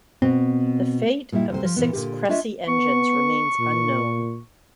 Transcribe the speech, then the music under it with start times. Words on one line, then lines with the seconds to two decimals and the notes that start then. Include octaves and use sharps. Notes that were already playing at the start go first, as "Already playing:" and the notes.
The fate of the six Crecy engines remains unknown.
0.22 B2 C4
1.32 A#2 G3 D#4 E4
1.50 D2 C3 C5
1.65 F3
1.76 A#2 E3 B3
1.93 A#2 D3 G4
2.29 D4 F4 C#5 D#5 E5
2.68 B3 C#6
3.59 A#2